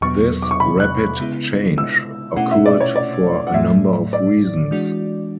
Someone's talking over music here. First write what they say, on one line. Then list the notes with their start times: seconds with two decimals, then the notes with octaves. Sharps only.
This rapid change occurred for a number of reasons.
0.01 E2 B2 F#3 B3 C#6
0.42 D6
0.51 C#6
0.60 B5
0.80 F#6
1.19 C#3 G#3 B3 E4
1.78 E6
2.36 B2 A3 C#4 E4 F#5
2.51 E5
2.66 D5
2.80 C#5
2.96 D5
3.47 F#5
3.53 A2 F#3 A3 E5
4.13 D5
4.71 E3 G#3 D4 F#4